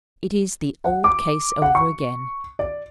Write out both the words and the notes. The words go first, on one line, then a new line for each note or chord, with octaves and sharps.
It is the old case over again.
F#5
D6
F#5
C#6
D5